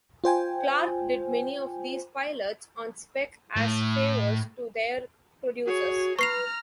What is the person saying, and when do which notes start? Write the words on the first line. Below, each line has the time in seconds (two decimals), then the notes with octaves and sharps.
Clark did many of these pilots "on spec" as favors to their producers.
0.24 F4 C5 G5 G#5
3.56 A2
5.67 F#4 G#4 C#5
6.19 B4 A#5 C#6 F6 C7 F7